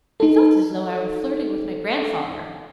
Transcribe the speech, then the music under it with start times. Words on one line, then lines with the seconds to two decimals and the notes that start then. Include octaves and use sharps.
I felt as though I were flirting with my grandfather.
0.20 D#4 A4